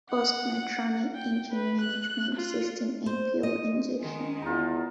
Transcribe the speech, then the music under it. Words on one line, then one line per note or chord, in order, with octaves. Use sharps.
Bosch Motronic engine management system and fuel injection.
F#5
G5
B4
F#6
F4
C5
D#5
D#3 G#3
E2 D#4 F4